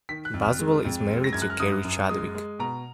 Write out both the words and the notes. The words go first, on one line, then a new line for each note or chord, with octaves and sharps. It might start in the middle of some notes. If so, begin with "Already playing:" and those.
Boswell is married to Keri Chadwick.
D#3 B6
F#6
F2
F6
G#3
F2
G#3
A#6
F#2 G#6
F#6
F6
F#2 D#6
F#2
G#3 D#6
G#3
B2 A#5